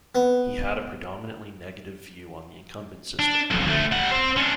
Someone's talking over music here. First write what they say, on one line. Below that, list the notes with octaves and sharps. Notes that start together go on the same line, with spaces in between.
He had a predominantly negative view on the incumbent system.
B3
D4
B1 F2
D2 A3
G3 F#5
C4 C5
C#4 D4